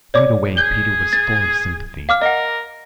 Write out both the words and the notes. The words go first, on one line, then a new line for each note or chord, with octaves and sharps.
Right away Peter was full of sympathy.
C#5 D5 D6
G#4 G6 G7
A6
F5 D6 F6
A#4 D#5 F#5